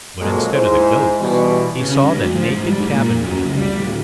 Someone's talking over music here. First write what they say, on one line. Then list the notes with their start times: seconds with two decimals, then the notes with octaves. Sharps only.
But instead of the goats, he saw the naked cabin boy.
0.20 F2 A#2 F#3 G#3 A#3 A4
0.53 G#2 E4 G#4 C5
1.20 B2 E3 G3
1.80 C#3
2.02 G2
2.17 D2
2.35 F3
2.50 G#2
2.66 G3
2.80 G#2
2.92 A#2
3.22 F#2
3.46 C#2
3.57 G3
3.75 D1